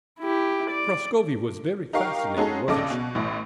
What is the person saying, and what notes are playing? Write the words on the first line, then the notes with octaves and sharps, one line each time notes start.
"Prascovie was very fascinating, wasn't she?"
E4 G4
D5
D#4 G4 A#4 F5 C#6
G#3 C#4 D#4 F#4 G#4 A4
A#1 C#3 A4 D#5 D6
B2
A1 A2